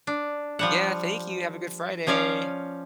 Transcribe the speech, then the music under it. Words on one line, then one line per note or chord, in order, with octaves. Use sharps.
Yeah, thank you, have a good Friday.
D4
F3 G3 F#5
F3 C#4 C#5 D5 F5